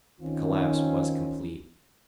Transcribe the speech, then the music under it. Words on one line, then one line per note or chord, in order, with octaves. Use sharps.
The collapse was complete.
D#3 C4 C#4 F4